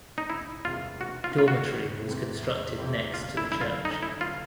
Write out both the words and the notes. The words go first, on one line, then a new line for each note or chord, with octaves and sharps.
Dormitory was constructed next to the church.
D#4
E1 E4
E2 C3 D#3 G#3 F4
E1 F#4
F4
E2 C3 D#3 G#3 F4
F#4
E2
C3 E3 G#3 C4
E2
C3 E3 G#3 C4
G1 F4
E4
F#2 D3 E4
F4
G1 D#4
E4
D3 F4